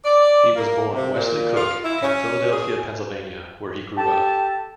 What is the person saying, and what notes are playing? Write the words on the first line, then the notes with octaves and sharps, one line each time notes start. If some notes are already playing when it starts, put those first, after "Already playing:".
He was born Wesley Cook in Philadelphia, Pennsylvania, where he grew up.
D5
A#3
C3
A#2
F4
E4
C#4
G#4
G4 A4 A5